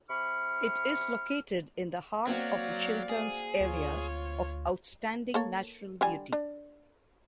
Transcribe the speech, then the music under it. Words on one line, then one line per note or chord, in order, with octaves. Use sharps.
It is located in the heart of The Chilterns Area of Outstanding Natural Beauty.
C3 B5 C#6 F6
F#3 A#3 C4 F#4 D5 F5
G#4
D2 F4 C#5
A#3 A4 C#5
D3 G3 G#5
D4